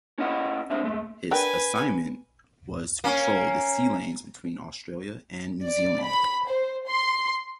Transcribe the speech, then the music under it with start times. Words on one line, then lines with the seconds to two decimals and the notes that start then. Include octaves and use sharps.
His assignment was to patrol the sea lanes between Australia and New Zealand.
0.18 C#4 E4 D#5 F#5
0.70 D2 G#2 D3 C4 E5
0.84 G#3 A3
1.31 D4 A#4 B4 G5 G#5
3.04 A#3 C#4
5.63 D5
6.02 B5
6.48 C5
6.84 C6